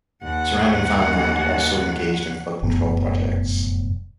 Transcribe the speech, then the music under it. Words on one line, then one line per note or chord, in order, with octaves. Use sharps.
Surrounding farmland also engaged in flood control projects.
D#2 F#5
F1 F#2 A2 B3